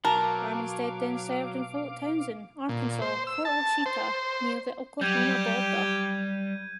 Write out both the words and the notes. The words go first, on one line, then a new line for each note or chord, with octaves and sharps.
Armistead then served in Fort Towson, Arkansas, Fort Washita near the Oklahoma border.
B2 F#3 A#4 F5 A5 D6
A#2
C5
E6
A5
C5
F#3 G3 G4 G6 G#6 D#7